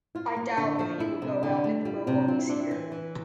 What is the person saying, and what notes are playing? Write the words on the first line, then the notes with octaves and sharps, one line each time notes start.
I doubt if he will go out in the boat while he is here.
E4 F4
A#3
D3 D4
F3
E4
C3
D3 D4
A3
G3 F4
E4
C3 C4
D4
C4 F4
E4
C4 D4
E4
E3
E3